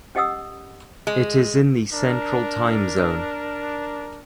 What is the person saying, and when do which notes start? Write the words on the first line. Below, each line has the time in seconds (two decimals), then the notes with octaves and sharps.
It is in the Central time zone.
0.15 C#4 G4 D#5 F#5 D#6 E6
1.07 G#3
1.93 D4 A#4